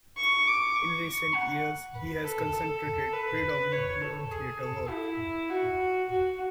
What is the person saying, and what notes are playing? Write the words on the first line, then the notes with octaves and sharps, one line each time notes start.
In recent years he has concentrated predominantly on theatre work.
C#6
D6
C#6
C#6
F#5
B4
A4
A4
B4
C#5
A4
G#4
A4
E4
F#4
F#4